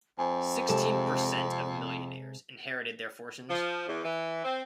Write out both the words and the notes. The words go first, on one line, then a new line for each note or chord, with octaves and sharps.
Sixteen percent of millionaires inherited their fortunes.
F2 C5 G#5
C3 G#3 G4 A4 A5
F3
E2
E3
C4